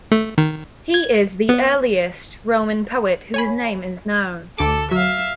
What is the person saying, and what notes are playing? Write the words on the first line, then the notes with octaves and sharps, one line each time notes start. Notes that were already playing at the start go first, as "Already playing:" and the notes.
He is the earliest Roman poet whose name is known.
A3
D#3
G#6
B3
C#5 G#5 B5
D2 A4 D6
F#3 E5 F5